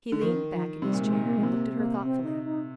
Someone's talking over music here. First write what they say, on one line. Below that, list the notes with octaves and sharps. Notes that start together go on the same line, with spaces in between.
He leaned back in his chair and looked at her thoughtfully.
D3
D#3 F3
F3
C3 G3
A#2
G#3
A#2
A#3
G#3
C3 A#3
A#3
C4
D#4
D#4